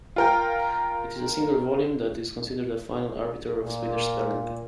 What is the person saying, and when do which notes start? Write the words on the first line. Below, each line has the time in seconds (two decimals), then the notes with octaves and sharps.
It is a single volume that is considered the final arbiter of Swedish spelling.
0.16 F4 A#4 G5
3.62 A#2